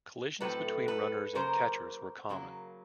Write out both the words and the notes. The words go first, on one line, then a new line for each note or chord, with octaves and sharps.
Collisions between runners and catchers were common.
A2 F#3 A3 C4 A4 B4
A4 B4
C#3 F#3 A#3 A#4 C5
C#3 F#3 A#3